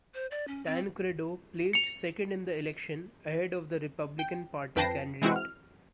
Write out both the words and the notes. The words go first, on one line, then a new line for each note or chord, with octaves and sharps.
Tancredo placed second in the election, ahead of the Republican Party candidate.
C5
D5
C#4
C4
C#7 F7
G5
F2 B4 G5 A5 A#6 C7
E3 G#3 C4 E4 F#4
F6